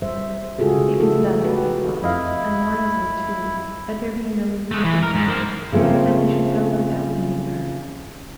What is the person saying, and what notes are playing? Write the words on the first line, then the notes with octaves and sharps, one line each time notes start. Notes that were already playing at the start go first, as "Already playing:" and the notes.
It was better, he thought, and wisely too, that there be no leave-taking, but that he should go without meeting her.
G3 C5 E5
C#3 G#3 F4 F#4 G#4 A4
F3 A3 E4 A4
D#4 F#4 G4 B4
F2 E4 D#5 F5
G#3 A3
E3
A#4
G#2
A#3 C5
C#3 F3 A3 A#3 C4